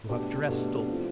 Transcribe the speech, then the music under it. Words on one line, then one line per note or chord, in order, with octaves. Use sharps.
You have dressed up.
B2 A3 D4 G4
B2 A3 D4 G4
C3 F3 B3 E4